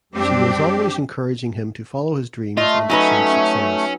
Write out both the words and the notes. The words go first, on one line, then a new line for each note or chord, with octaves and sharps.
She was always encouraging him to follow his dreams and achieve success.
F#2 G3 C4 D4 G4
A3 F4 D#5
F#3 C#4 D#4 B4